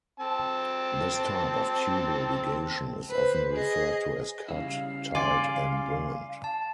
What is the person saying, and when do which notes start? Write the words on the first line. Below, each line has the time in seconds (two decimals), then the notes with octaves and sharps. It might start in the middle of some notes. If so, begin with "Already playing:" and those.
This type of tubal ligation is often referred to as cut, tied, and burned.
0.20 C4 A5
3.10 B4 C5
3.53 G#4 D#5
4.49 C#3 G3 E4 F5
5.15 D5 G#5 C6
6.44 A5